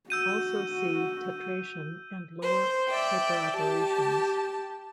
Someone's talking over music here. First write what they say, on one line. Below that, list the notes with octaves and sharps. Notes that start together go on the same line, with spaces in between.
Also see tetration and lower hyperoperations.
F#4 E6 G6 D#7
C5
D5 E5 G5
G4 A5